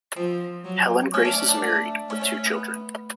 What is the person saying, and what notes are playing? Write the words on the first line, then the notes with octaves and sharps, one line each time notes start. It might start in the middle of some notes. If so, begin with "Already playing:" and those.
Helen Grace is married, with two children.
F3 C4
F#3
A3 C#4
D4
C#4
D4
A3
A3 C#4
C#4
B3